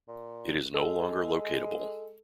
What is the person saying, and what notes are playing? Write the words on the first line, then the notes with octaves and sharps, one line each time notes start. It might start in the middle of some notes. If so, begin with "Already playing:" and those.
It is no longer locatable.
A#2
G#3 A4